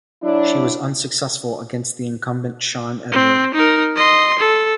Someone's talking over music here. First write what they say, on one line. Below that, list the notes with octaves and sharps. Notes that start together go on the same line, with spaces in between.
She was unsuccessful against the incumbent Shawn Edward.
F#3 D4 E4
C4
D#4 A#4
D#5 C6
A4